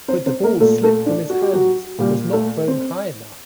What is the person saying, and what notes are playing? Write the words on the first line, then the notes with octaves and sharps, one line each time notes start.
But the ball slipped from his hands and was not thrown high enough.
C4 C5
C4 C5
A#3 A#4
A#2 A3 A4
A3 A4
D4
F#4
G4
F#3 F#4
A#2 G3 G4
A3 A4
C4